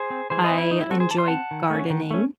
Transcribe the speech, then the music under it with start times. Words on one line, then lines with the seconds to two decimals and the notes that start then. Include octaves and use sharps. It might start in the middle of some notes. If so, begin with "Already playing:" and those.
I enjoy gardening,
Already playing: G#4 C5
0.10 C4
0.30 E3 G#4 C5
0.44 C5 D#5
0.51 C4
0.58 E4
0.71 E3 D#4
0.80 E4
0.90 C4 F#4 A4
1.00 G#4 C5
1.11 E3 A5
1.18 C6
1.28 C4 F#5 A5
1.51 D#3
1.70 A3 C#4
1.90 D#3
2.11 A3 C#4